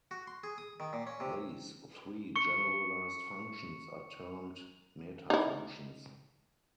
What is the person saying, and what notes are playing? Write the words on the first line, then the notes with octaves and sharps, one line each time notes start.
These three generalised functions are termed "metafunctions".
F#4
C6
G#4
D#6
D#3
A#2
C#4
C3
C#6 C#7
D#4 E4